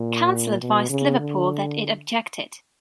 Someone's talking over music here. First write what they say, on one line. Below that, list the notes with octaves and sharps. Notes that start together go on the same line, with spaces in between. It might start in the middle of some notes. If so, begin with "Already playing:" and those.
Council advised Liverpool that it objected.
Already playing: A#2
B2
C#3
D3